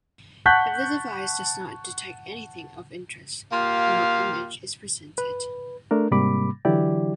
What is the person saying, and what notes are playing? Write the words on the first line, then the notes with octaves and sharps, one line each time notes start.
If the device does not detect anything of interest, no image is presented.
F#5 A5 C#6 F#6 G6 B6
A#3 F4 G4 F5
B4
A3 D4 A#4
G#2 C3 G3 A#3 B5 D6
D3 E3 F#3 E4 G4 D5